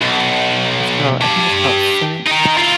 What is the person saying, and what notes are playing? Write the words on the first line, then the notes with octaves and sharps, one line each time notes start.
it's called I think it's called Saint
B1
G4 A5
D#4 A#4
E4 F4